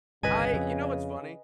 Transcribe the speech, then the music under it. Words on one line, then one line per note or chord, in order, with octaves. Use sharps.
I you know what's funny?
G1 C2 C#3 B4 D#5 G#5
F2